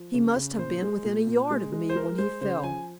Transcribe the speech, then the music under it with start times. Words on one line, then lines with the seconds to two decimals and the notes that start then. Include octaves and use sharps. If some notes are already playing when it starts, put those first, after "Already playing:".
He must have been within a yard of me when he fell.
Already playing: F3
0.14 C#3
0.36 C#3
0.58 A#2 C5
0.82 G#3
1.05 A#2
1.27 A#2
1.51 G#3
1.72 G#3
1.89 C5
1.95 G#3 A#4
2.18 G#3 C5
2.41 C#3 C5
2.63 F3 G#5